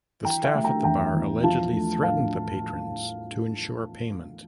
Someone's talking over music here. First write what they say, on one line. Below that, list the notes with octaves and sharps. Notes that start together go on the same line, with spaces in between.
The staff at the bar allegedly threatened the patrons to ensure payment.
E3 G5 A#5
E5 G5
A3
G5 A#5
E2 G5 A#5
E2
F3 F5 A5
A3
A2 F5 A5